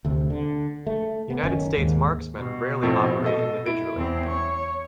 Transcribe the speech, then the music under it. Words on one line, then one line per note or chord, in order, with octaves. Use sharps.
United States marksmen rarely operate individually.
D2 C3
D3
A3
B3
F#1 D#3 C#4
D#2 G#2
B2
F2 A2 C4
A4 D#5
E4 D7
E2 C4
C#5